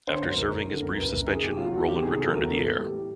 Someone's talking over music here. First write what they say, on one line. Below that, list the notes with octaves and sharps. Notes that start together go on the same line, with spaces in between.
After serving his brief suspension, Roland returned to the air.
D3 C5
C#5
F#2 C5
F#1 A#4
F#1
D3 A4
F#2 A#4
F#1 B4
F#1 A#4
D#3 G#4
C3 G4
F#3 F4
E2 F#4
D#3 G4
C3 G#4
F#3 A4
E2 A#4
E3 A4
A2
G3 G4